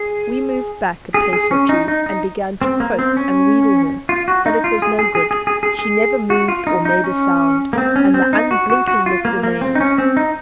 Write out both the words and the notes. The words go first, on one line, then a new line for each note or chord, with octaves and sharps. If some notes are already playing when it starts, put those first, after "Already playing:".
We moved back a pace or two and began to coax and wheedle her; but it was no good; she never moved or made a sound, and the unblinking look remained.
Already playing: G#4
G#4
G#4
C#4
D#4
D#4
D#4
C4
A#3
C4
C#4
F4
F#4
D#4
F4
G#4
G#4
G#4
G#4
G#4
G#4
G#4
F#4
F4
D#4
D#4
C#4
A#3
C4
C#4
C4
D#4
F#4
F#4
F#4
F4
A#3
A#3
C4
D#4
C#4
C4
D#4